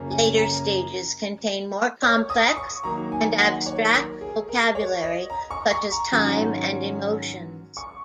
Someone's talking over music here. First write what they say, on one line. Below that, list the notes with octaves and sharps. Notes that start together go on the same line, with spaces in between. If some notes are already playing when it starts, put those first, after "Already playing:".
Later stages contain more complex and abstract vocabulary such as time and emotions.
Already playing: F#2 C#3 A#3 C#4
G#5
A#5
C#5
D#6
C#6
D#3 F#3 A#3 A#5
G#5
F#5
C#5
A#4
G#4
A#4
C#5
D#5
A#5
C#6
C#6
A#5
G#2 D#3 F#3 C#4
C#6